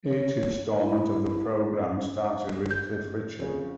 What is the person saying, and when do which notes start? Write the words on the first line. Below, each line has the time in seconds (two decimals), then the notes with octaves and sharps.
Each instalment of the programme started with Cliff Richard.
0.06 C#5
0.78 E4
2.71 G6
3.38 F2 C#3